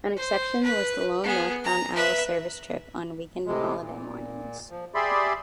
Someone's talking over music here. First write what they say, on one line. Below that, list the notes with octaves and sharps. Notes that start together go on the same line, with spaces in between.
An exception was the lone northbound Owl service trip on weekend and holiday mornings.
C5
B4
B3 G#4
A#5
B4 E5
A2 C3 G#3
A#2
F3
G4 G#4 D5 E5 B5 C6